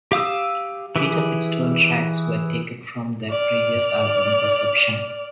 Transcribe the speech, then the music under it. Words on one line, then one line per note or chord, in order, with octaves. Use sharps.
Eight of its twelve tracks were taken from their previous album, "Perception".
G4 F5 D#6 E6
E3 G4 G#4
D5 F6